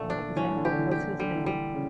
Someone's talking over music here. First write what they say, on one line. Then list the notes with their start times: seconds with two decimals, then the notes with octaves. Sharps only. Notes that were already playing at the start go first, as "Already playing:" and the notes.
An example was his name.
Already playing: A#2 D3 A3
0.10 D4
0.36 E3 C#4
0.57 D3
0.65 G4
0.72 D3
0.78 E3
0.91 G4
0.99 E3
1.19 D3 G3
1.35 E3
1.46 D3 G3
1.74 C#3